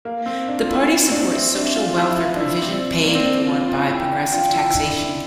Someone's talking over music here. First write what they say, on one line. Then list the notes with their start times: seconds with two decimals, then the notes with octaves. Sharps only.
The party supports social welfare provision paid for by progressive taxation.
0.05 A#3 F5
0.26 C4
0.48 D4
0.59 F4
0.69 E4
1.08 C4
1.12 D4
1.33 C4 E5
1.55 D4
1.75 F4
1.97 E4 E5
2.18 F4
2.36 D4
2.40 E4
2.61 C4 D5
3.04 A#3
3.15 C4
3.26 D4
3.47 F4
3.68 F4
3.89 E4 G5
4.12 D4
4.32 F4
4.54 E4
4.70 E4
4.75 D4
4.89 D4
4.96 E4